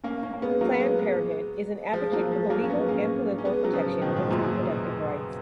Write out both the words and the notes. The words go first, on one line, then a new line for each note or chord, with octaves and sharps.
Planned Parenthood is an advocate for the legal and political protection of reproductive rights.
A#3 C#4
A#3 C#4
A#3
G#3 B3
F#3 A#3
G#3 B3
G#3 B3
F3 G#3
F#3 A#3
F3 G#3
F#3 A#3
C#4
G#3 B3
A#3 C#4
C#4
G#3 B3
F#3
C#3 F3
B2 D#3
G#2 B2
F#2 A#2
F#2